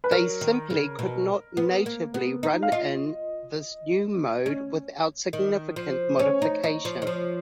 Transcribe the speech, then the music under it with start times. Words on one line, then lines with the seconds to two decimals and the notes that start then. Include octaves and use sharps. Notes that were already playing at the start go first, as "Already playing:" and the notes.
They simply could not natively run in this new mode without significant modification.
0.04 B4
0.11 F#3 A#4
0.41 D#3
0.70 C#3
0.99 B2
1.57 B3
1.86 A#3
2.14 B3
2.43 D#4
2.63 F5
2.72 F4 D#5
4.46 C#4
5.33 D#3
5.76 F3
6.19 C#4 C#5
6.42 D#4
6.64 D#4
6.85 F3
7.02 D#3
7.07 F3